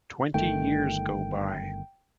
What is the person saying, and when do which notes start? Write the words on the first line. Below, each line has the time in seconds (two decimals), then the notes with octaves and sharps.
Twenty years go by.
0.34 G1 D#3 A3 G5